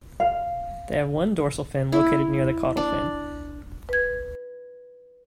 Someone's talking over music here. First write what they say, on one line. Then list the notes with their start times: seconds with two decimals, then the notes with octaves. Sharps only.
They have one dorsal fin located near the caudal fin.
0.20 F5
1.92 E4
2.77 D4
3.89 B4 G#6